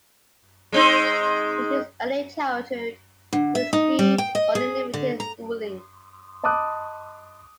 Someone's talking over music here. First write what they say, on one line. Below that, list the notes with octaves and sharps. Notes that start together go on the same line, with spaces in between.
In his early childhood, he received only limited schooling.
G#3 C4 D#4
D3
E5
D#4
G3
G5
D#5
G#4
D3
A#5
D#5 A5 B5 D6 D#6 F#6